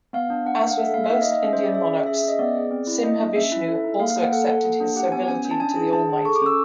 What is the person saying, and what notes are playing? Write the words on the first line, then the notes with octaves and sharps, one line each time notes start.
As with most Indian monarchs, Simhavishnu also accepted his servility to the Almighty.
B3 F5
D4
D4 F#5
F#5
D4
F5
A4 E5
A#3 F5
E5
D#4 F5
D#5
D#4
D#5
C#4 E5
C5
C#4 D5
G#4 E5
C#4
G#4 E5
C#4 E5
D#5
B3 D5
G#4
C4
E4
A#3 D#5
D4
C#4 E5
E4
A4
D#4
A#3 F5
F5
A#3 F#5
A4 F#5
A4
A#3
D4
G4 F#5
B3 G#5
C#4 G#5
C#4
A5
D4 G#5
G#4
D4 A5
G#4
A4 C#6
D6
C#4 E6